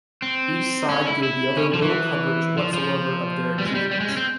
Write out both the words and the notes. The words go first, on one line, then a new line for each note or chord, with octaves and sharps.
Each side gave the other little coverage whatsoever of their achievements.
C4
C#4
E4
E4
C#4
F3
E3
F3
F3
G3
G#3
G3
G3
G#3
C#4
C4